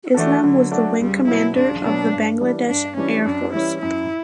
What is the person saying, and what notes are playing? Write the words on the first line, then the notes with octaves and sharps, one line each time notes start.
Islam was the Wing Commander of the Bangladesh Air Force.
E3 A3 D4 F#4 A4
D3 F#3
A3 D4 F#4 A4
C#2 G3
B2 F#3 E4
C#2 D4
B2 F#3 D4
G2
E3 G3 D4
G2 D4
E3 G3 C#4 D4
F#2 D4
E3 G3 C#4 E4
F#2 E4